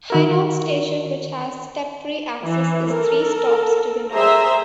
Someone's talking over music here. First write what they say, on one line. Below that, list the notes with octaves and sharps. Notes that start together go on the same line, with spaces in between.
Hainault station which has step-free access is three stops to the north.
D#3 F#4 A#4
E3
A4 A#4
G#4 C5 E5 A#5